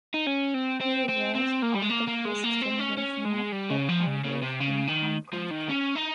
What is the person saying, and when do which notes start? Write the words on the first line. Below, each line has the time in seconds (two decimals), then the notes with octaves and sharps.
He was of the first generation of pop idols in Hong Kong.
0.14 D#4
0.26 C#4
0.54 C4
0.81 C4
1.08 C4
1.35 C4
1.62 A#3
1.74 G3
1.82 G#3
1.89 A#3
2.07 A#3
2.25 G#3
2.44 A#3
2.62 C4
2.79 C#4
2.97 C#4
3.25 G#3
3.52 G3
3.70 C#3
3.89 F3
4.07 C#3
4.25 C#3
4.42 C3
4.60 C#3
4.87 D#3
5.33 F3
5.51 D#3
5.70 C#4
5.96 D#4